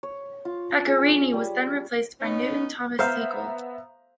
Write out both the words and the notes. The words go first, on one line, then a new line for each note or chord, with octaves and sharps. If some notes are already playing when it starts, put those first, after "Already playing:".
Pecorini was then replaced by Newton Thomas Sigel.
C#5
F4
G#4
C#5
G3
B3 C#4 D#4
B3 C5 E5 F5 A#5